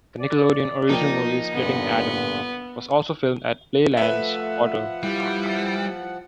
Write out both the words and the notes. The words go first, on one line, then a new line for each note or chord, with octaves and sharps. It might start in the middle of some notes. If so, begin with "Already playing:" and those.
The Nickelodeon original movie "Splitting Adam" was also filmed at Playland's water park.
D5
F3 A#3 D#4 G5
G2 A#2 D3 B3
F3 A3 B4 E5 F#5
G3 E4